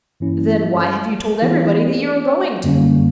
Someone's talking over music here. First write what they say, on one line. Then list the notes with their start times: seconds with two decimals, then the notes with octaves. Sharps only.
"Then why have you told everybody that you are going to?"
0.20 G2 E3 A#3 C#4 E4
1.42 E3 B3 E4 G4
2.64 F#2 D3 G3 A#3 C#4